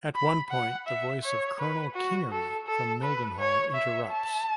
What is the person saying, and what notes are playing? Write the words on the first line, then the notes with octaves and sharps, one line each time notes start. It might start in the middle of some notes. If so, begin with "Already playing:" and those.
At one point the voice of Colonel Kingery from Mildenhall interrupts.
B5
F#5
E5
C#5
B4
F#4
A4
A4
B4
C#5
E5
A5